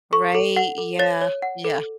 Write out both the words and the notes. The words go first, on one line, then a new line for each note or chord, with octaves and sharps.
Right, yeah, yeah.
A4 C#6
A4
F#5
A4
C#5 A6
C#5
F#5
A4